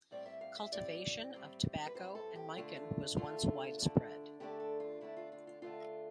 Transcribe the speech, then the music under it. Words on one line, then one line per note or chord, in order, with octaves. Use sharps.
Cultivation of tobacco and "mikan" was once widespread.
A2 G3 C4 D5
E5
F5
E5
A2 G3 C4 D5
A2 G3 C4
B4
A2 G3 C4 C5
A4
G4
D3 A3 D4 F4
D3 A3 D4 F4
D3 A3 D4
D3 A3 D4 G4
A4
F4
D3 A3 D4 E4
F4
F4
F4
D3 A3 D4 F4